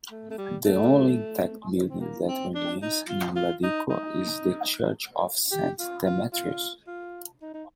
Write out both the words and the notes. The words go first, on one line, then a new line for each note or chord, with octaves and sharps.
The only intact building that remains in Ladiko is the church of Saint Demetrius.
A3
A3
G3
A3
C4
A#3
C4
D4
D#4
F4
F4
D#4
D#4
G4
F4
F4
F4
F4
D#4
D#4